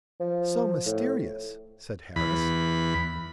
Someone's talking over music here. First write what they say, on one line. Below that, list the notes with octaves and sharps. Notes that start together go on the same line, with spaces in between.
"So mysterious!" said Harris.
F3
A2
E2 B5